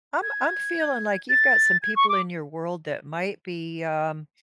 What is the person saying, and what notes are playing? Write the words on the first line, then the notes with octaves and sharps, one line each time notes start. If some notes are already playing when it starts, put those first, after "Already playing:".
I'm I'm feeling like you've got some people in your world that might be, um,
G#6
A6
G#6
C#6
D6